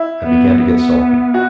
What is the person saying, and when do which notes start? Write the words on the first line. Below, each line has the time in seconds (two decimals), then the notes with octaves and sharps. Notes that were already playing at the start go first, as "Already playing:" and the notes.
I began to get sulky.
Already playing: E4
0.24 B3
0.63 B3
1.34 F#4